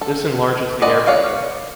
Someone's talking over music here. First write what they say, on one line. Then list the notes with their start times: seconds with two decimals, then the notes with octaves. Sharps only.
This enlarges the air bladder.
0.01 A4
0.82 G#3 F#4 B4 D5 D#5
1.06 C#5 D5 F5 F#5